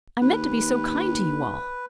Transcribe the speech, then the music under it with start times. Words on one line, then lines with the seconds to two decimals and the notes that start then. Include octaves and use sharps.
"I meant to be so kind to you all."
0.21 D#2 B4